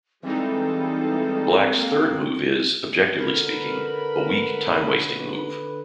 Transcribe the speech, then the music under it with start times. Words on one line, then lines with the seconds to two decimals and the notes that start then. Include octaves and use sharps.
Black's third move is, objectively speaking, a weak, time-wasting move.
0.23 E3 G3 G#3 C4 D#4 F4 A4
1.74 A#3
3.19 D3 A#4 B4 B5